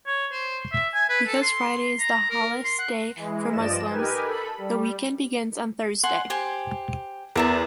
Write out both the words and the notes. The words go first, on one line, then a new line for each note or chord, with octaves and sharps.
Because Friday is the holiest day for Muslims, the weekend begins on Thursday.
C#5
C5
E5
G#5
B4
A4
C6
A#5
A#4
C6
F#5
E3 G#3
G2 F3 D5 D#5 E7
D#4 G4 A#4 B4 G#5
A4 B5
G3
F#5 G#5 C6
G4 C5 G#5
E2 A#4 E5 A5